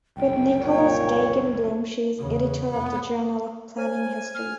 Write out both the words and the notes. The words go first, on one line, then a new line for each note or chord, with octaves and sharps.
With Nicholas Dagen Bloom she is editor of the Journal of Planning History.
F#1 C2 G5
A#2 C#5
E2 C#3
F1 B3
C5 C#5 G#5 F6
F6